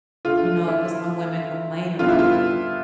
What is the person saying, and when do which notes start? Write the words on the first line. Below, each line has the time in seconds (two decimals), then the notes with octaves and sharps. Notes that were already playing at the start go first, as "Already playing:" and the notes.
You know, 'cause some women complain about that.
0.25 D3 A3 F4
0.68 E4
1.99 D3 G3 B3 F4
2.08 E4
2.19 F4